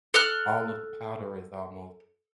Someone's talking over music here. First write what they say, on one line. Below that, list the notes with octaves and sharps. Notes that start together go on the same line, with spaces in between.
all of the powder is almost
A4 F6 F#6